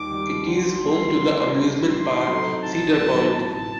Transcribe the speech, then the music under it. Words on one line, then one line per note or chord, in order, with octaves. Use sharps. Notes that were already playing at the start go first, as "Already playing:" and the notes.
It is home to the amusement park Cedar Point.
Already playing: D#2 D#3 G3 D6
D#3 G3
D3 C6
G3 A#3
D3
G3 A#3
A2 C6
F#3 C4 D#4 A4
A2 A5
F#3 C4 D#4 A4
A1 A5